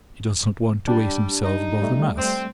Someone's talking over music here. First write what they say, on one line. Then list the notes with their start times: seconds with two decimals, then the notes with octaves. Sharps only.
He does not want to raise himself above the mass.
0.88 G3 D4 G4
1.44 D#4
1.82 G3 A3
2.18 C4